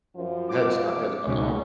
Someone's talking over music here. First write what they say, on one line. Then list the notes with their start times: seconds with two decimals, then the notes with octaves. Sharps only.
Headstock Headstock, uh-huh.
0.15 F#2 F3
0.49 D6
1.26 C#2 G#2 B2 C#4